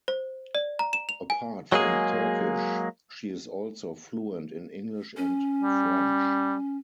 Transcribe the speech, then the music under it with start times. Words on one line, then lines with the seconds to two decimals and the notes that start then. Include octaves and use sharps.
Apart from Turkish, she is also fluent in English and French.
0.08 C5
0.55 D5
0.79 A#5
0.93 E7
1.09 F7
1.30 G#5
1.72 F#3 G#3 A#3 G#4
5.17 C#4
5.63 G3